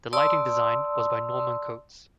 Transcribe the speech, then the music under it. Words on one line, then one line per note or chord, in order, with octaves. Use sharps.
The Lighting Design was by Norman Coates.
D5 A5 C6 D#6 E6